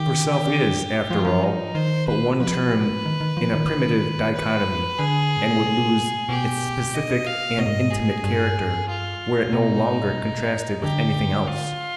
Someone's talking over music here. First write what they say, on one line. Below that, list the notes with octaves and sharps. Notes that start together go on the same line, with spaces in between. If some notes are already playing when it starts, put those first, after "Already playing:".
For self is, after all, but one term in a primitive dichotomy and would lose its specific and intimate character were it no longer contrasted with anything else.
Already playing: D#3 G4
F3 F4
F3
D#4
D#3 C5
B4
F3 B4
D#3
D#3
F3
D#3
B4
D3 G#4
G#2
B2
C3
B2 G4
D#5
F5
B2 D#5
G#2
G2
G#2
G#4
G2
F4
B2 D#4
D3 G4
F4